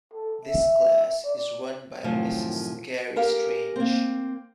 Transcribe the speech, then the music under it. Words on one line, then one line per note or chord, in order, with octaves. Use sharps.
This class is run by Mrs. Cari Strange.
A4
E5
D5
F#2 A2 C3 D#3 F3
C#4 G4 A#4 F5
A#3 C4